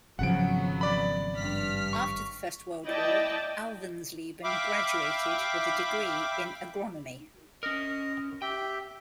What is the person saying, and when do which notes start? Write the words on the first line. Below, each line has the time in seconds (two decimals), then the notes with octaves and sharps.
After the First World War, Alvensleben graduated with a degree in agronomy.
0.19 G#1 C#3 F3 F#3 B3 F#5 D7
0.81 D5 B5
1.36 G2 F6 B6
1.93 C#6
2.85 E4 D5 D#5 G5 A5
4.44 E5 F5 G5 B5 D6
7.63 C#4 A#4 D#5
8.42 G4 E5 G5